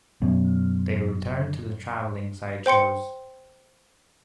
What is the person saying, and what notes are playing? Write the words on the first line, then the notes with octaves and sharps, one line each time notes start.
They returned to the travelling sideshows.
F#2 B2
C5 G5 C6 C#7